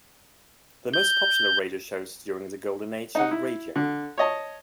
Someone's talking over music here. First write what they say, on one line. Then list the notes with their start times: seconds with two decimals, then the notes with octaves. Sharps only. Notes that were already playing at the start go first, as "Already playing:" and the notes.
The most popular radio shows during the Golden Age of Radio.
0.94 G6
3.15 D#4 F#5
3.31 E4
3.76 D3
4.18 C#5 D#5 A5